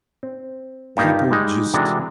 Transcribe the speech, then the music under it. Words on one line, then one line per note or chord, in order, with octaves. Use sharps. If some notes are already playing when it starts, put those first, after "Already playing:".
people just
C4
G2 A#3 D#4 F4 G4
G3 G#3 D#4
C3 E3 G#3 D4 F#4 A4